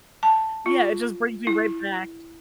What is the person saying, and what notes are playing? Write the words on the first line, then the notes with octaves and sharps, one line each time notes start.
yeah, it just brings me right back
A5
F4
E4